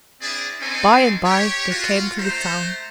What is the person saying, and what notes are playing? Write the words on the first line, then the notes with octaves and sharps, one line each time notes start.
By and by they came to the town.
C4 D4 E4 G#4 D5
C4 C#4 D#4 A4 C5 G#5
G4 C#5
F4 F#4
A3 C5 A#5